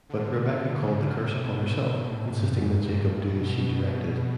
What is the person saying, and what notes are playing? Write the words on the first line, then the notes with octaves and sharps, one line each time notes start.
But Rebekah called the curse upon herself, insisting that Jacob do as she directed.
D3
D3
C#3
D3
C3
B2
A2
G#2
G2
F2
F#2
G2
G#2
G2
F2
B2
C3
B2
B2